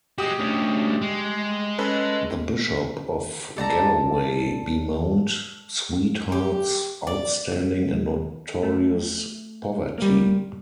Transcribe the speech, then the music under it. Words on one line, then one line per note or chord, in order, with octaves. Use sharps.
The Bishop of Galloway bemoaned Sweetheart's "outstanding and notorious poverty".
G#3 F#4 G4 D#6
D2 C#4
G#3
C#4 A4 B4
A4 D5 A5 A#5
G4
D5
A3
G3 A#3